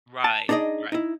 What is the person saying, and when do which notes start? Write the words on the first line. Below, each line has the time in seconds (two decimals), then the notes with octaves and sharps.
Right. Right.
0.24 A5
0.49 D4 D#4 G#4 D5 D#5
0.92 D#4 E4